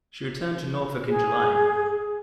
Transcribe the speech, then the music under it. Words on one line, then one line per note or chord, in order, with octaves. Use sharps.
She returned to Norfolk in July.
G#4